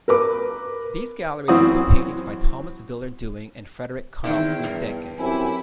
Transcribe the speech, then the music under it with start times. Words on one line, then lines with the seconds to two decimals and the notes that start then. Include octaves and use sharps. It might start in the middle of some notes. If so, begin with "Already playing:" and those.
These galleries include paintings by Thomas Wilmer Dewing and Frederick Carl Frieseke.
0.08 A#4 B4 D6
1.48 F#2 E3 C4 E4 F#4 D#6
4.24 E2 D#3 C4 E4
4.64 G2
5.19 F#2 C4 E4 G4 G#5